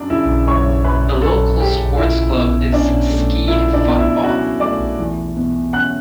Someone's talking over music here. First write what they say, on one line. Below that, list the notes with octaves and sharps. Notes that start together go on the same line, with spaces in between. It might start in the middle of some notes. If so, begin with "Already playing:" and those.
The local sports club is Skeid Fotball.
Already playing: F#2 F#3 D4 D5
C#3 E4 E5
F#1 C#5 C#6
F#2 B4 B5
F#3 A4 A5
C#3 G4 G5
C#2 E4 E5
B2
C#4 D4 D5
A3
C#2 E4 E5
D4 D5
B2
E4 E5
C#4 F#4 F#5
A3 D5 D6
E2
B2
C#4 F#5 F#6